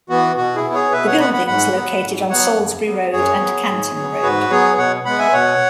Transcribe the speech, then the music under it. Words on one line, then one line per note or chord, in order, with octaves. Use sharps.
The building is located on Salisbury Road and Canton Road.
E3 B3 F#4
B2 F#4
E4 G#4
B3
G#4 C#5
B2 B4 E5
C#5 F#5
B3 F#5 B5
F#5 B5
G#2 F#5 B5
F#3 B3
G#2
F#3 B3 C#5 F#5
F#2
F#3 B3
F#2 G#4 C#5
F#3 B3
G#2
F#3 B3
G#2 F#4 B4
F#3 B3 G#4 C#5
B2 C#5 F#5
G#3 B3 F#5 B5
E5 G#5
B2 C#5 F#5